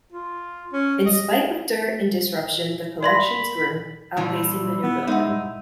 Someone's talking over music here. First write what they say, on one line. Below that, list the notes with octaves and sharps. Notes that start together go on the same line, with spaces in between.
In spite of dirt and disruption the collections grew, outpacing the new building.
F4
C#4
D#5
D5 B5 C6 A#6
A#2 E3 F3 G3 E4
B3
G#3 D#4 E5 F#5